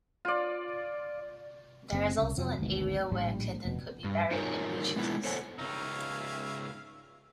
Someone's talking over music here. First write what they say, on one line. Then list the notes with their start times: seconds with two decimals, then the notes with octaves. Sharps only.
There is also an area where Clinton could be buried if he chooses.
0.25 F4 D5
1.93 F#1 C4
2.18 C2 C#3
2.37 F2 C3 F3 F#3
2.59 G#1 D2 G#2 B2
3.12 A#1 A2 G3
3.65 F1 B2
4.04 G2
4.31 D#4 F4 F#4 A#4 C#5 G#5
4.96 G#3 B3 C4 E4
5.25 A4 C5 C#5 F#5 G#5
5.59 C#2 D#4 C#5 E5 F5